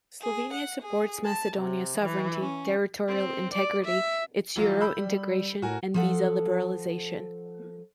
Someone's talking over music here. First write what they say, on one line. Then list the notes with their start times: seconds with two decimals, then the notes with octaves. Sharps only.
Slovenia supports Macedonia's sovereignty, territorial integrity, its Euro-integration and visa liberalisation.
0.21 G#4
0.53 F#5
0.81 G#4
1.25 A5
1.57 C3
1.99 E3
2.40 C#4
3.08 C4
3.54 D5
3.85 E5
4.56 E3 F#3 F4
4.81 B5 E6 G6
4.97 G3
5.62 A2 F#4 A#4 G#5
5.94 F3 A4 F#5